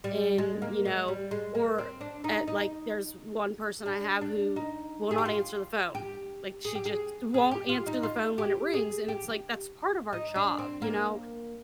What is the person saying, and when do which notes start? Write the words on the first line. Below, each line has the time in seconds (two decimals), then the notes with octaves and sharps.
and, you know or at like, there's one person I have who will not answer the phone, like, she just won't answer the phone when it rings, and it's like, "That's part of our job, you know?"
0.04 G3
0.38 G#3
0.62 A#3
0.85 G#3
1.08 G3
1.31 G#3
1.55 A#3
1.78 C4
2.01 D4
2.24 D#4
2.48 D#4
3.86 D4
4.21 D4
4.56 D#4
5.11 G#4
5.18 G4
5.25 F4
5.95 G4
6.65 G#4
6.75 G4
6.85 G#4
7.34 G#4
7.51 G4
7.69 F4
7.86 D#4
8.03 F4
8.38 G4
8.74 G#4
9.08 G4
10.13 D#4
10.36 D4
10.58 C4
10.82 A#3